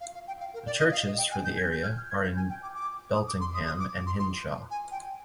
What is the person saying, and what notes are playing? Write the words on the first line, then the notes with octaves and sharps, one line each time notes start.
The churches for the area are in Beltingham and Henshaw.
F5
F5
G5
F5
A#4
D5
D#5
F5
D#5
G5
G#5
G6
G#6
G6
F6
F6
G#6
G6
G#5
G5
D6
D6
D#6
D6
C6
D#6
D#6
D6
C6
C6
G#5
G5